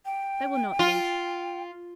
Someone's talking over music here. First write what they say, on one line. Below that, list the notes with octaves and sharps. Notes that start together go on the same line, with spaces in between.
They will not meet!
G5
F4